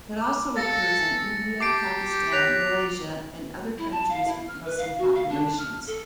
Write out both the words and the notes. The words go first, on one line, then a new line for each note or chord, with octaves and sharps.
It also occurs in India, Pakistan, Malaysia and other countries with Muslim populations.
D6
A4 F5 A6 A#6 C#7
E5 G#5
G4 A5 D6 C7 D7
C#5 F#6 A#6 B6 F7
E4
A5
F5
E4
F6
B4
F5
F#4
F5
D4
F6
A4